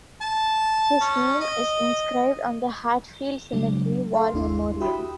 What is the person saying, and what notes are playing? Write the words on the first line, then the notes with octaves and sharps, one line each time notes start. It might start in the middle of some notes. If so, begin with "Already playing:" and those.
His name is inscribed on the Hatfield Cemetery War Memorial.
A5
C#4
D#5
C#3 F#3 G#3 D4
A4 F5 C6
G1 D#2 D4 E4 C6
F#4 G4 E5 G5 B5 D#6